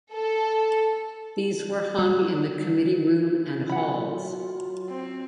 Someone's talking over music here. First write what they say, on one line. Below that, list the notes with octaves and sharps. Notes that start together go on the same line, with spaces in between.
These were hung in the committee room and halls.
A4
G3
F#3 F4 F#5 B5
C4